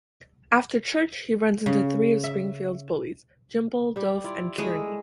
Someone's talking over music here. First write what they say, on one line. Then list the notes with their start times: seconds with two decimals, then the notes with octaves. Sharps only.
After church, he runs into three of Springfield's bullies: Jimbo, Dolph, and Kearney.
1.66 C#3
2.24 E5
3.96 G3 G4
4.24 E4 F4 D5
4.58 G#3 A3 E4